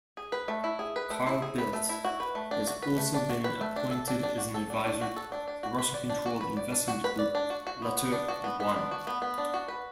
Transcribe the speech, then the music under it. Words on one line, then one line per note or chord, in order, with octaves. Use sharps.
Carl Bildt has also been appointed as an advisor to Russian-controlled investment group LetterOne.
G#4
B4
A3
E4
G#4
B4
A3
E4
G#4
B4
A3
E4
F#4
B4
A3
D4
F#4
B4
A3
D4
F#4
B4
A3
D4
A4
D4
D4
F#4
A4
D4
D4
F#4
A4
D4
D4
F#4
B4
D5
D4
F#4
B4
D5
D4
F#4
B4
D5
D4
F#4
F#4
B3
B3
D4
F#4
B3
B3
D4
F#4
B3
B3
D4
F#4
B4